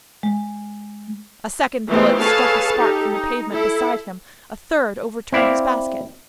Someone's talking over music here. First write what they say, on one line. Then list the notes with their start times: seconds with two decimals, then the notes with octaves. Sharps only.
A second bullet struck a spark from the pavement beside him.--A third overturned his basket.
0.23 G#3
1.87 D#3 E3 G3 A3 B3 C4
2.19 G#4 A4 B4 C#5 F5 A5
2.74 D#4 G4 A4
3.12 D#4
3.50 E4 A4
5.33 C4 E4 D5 F5